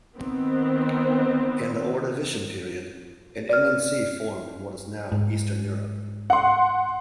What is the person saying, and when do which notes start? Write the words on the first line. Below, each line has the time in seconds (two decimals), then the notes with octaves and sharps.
In the Ordovician period, an inland sea formed in what is now Eastern Europe.
0.16 D#3 B3 C4
3.49 D5 F6
5.12 G#2
6.30 F#5 C6